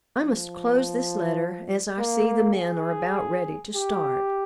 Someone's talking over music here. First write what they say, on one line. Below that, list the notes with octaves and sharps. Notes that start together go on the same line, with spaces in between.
I must close this letter, as I see the men are about ready to start.
F3
A#3
G#4
G4